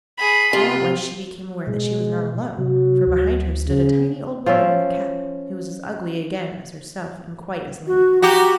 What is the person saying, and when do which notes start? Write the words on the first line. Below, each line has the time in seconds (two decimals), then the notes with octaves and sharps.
All at once she became aware that she was not alone, for behind her stood a tiny old woman in a cap, who was as ugly again as herself and quite as lame.
0.18 G#4 B5
0.53 C3 F4
1.67 B2 G#3
2.58 C3 F#3
3.07 D2
3.68 C#3
4.46 F3 C#4 D5 E5
7.87 F#4
8.22 F#4 G4 A#5